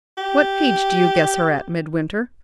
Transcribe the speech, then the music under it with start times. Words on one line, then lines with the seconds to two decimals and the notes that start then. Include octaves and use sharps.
What age do you guess her at, Midwinter?
0.17 G4